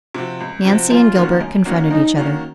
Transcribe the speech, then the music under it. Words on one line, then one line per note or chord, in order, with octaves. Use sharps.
Nancy and Gilbert confronted each other.
C3 F3 C4 F#4
C#2
C3 F3 C4 F#4
F#2 F4
D#3 A#3 C#4 F#4
F#2
D#3 A#3 C#4 F#4
F#2 D#4
D#3 A#3 C#4 F#4